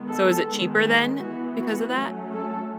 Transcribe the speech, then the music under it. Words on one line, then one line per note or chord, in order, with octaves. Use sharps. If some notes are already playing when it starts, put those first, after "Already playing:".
So is it cheaper then because of that?
Already playing: D#3 G#3 B3
A4
D#3 G#3 B3
G#4
E3 B3 F#4
F#4
F#3 A3 C#4
A4